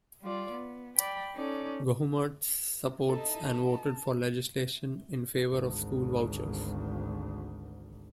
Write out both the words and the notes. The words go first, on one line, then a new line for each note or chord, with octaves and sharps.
Gohmert supports and voted for legislation in favor of school vouchers.
G3 F4 D5
B3
D5 G5 B5
C#4 D#4 A4 D5
D#4 E4 A4 D#5 A5
G#1 D2